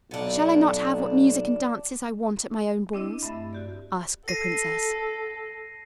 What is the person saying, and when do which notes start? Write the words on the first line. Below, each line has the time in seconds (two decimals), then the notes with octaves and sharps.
"Shall I not have what music and dances I want at my own balls?" asked the princess.
0.11 B1 B3 D4
2.93 C4 D4 E4 D#5
3.23 G2 A3 E5 A6
3.53 F#4 G4 D5
4.28 A4 A#6 C7 D#7